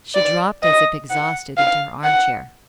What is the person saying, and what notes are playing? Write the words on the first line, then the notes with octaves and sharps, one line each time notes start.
She dropped as if exhausted into her armchair.
D5
D#5
F#5
F5
F#5